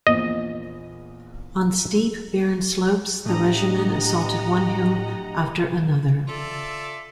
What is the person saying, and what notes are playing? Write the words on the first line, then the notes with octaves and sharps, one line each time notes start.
On steep, barren slopes, the regiment assaulted one hill after another.
A#1 E2 A#2 D#5
A2 A3 D4 G4 D#5 F#5 A#5
F4 A4 D5 E5